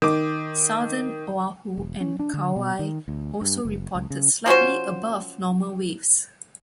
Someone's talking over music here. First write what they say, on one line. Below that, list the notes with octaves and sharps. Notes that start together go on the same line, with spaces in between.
Southern Oahu and Kauai also reported slightly above normal waves.
D#3 D6
E1
C#4
D4
D3
B2
D#3
D2
G2
F#1
C#2
C#3
F3 C#4 F#4 C5